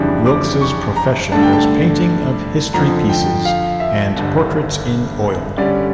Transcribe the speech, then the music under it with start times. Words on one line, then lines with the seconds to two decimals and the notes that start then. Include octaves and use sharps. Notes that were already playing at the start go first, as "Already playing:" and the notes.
Wilkes' profession was 'painting of History Pieces and Portraits in Oyl'.
Already playing: F2 C#3 E3 G3 D4
0.26 D6
0.61 C#6
0.96 A#5
1.32 G2 D3 A3 D4 A5
1.43 G5
1.53 A5
2.74 F2 D3 F3 A#5
3.09 G5
3.45 F5
3.80 E5
4.16 G1 G2 D3
5.57 G2 D3 G3 C#4 D5